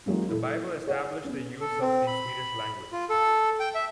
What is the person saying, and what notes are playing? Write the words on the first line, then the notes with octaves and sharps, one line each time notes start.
The Bible established the use of the Swedish language.
E3 F#3 G#3 A#3 C#4
E4 A4
G#4 C#5 F#5
B3 C#4
A4
C4
B5
F4
A4
G5
E5